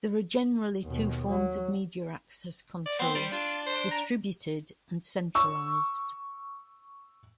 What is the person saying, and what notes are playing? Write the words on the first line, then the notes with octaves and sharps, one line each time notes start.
There are generally two forms of media access control: distributed and centralized.
D#2 B2
F#3
D5
B3 C4 C5
G3 D5
D4 F4
C5
A#5
C#6 E6